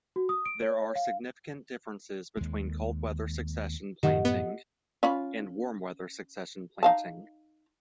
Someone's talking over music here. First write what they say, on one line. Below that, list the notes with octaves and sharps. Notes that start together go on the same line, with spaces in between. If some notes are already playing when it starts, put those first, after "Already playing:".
There are significant differences between cold weather succession planting and warm weather succession planting.
F#4
D#6
D7
C#5
F5
D#2 G#3
F#2 A2 C3 D#3 G4 D#5 F#5
B3
C#4 F4 B5
D#4 F5 A5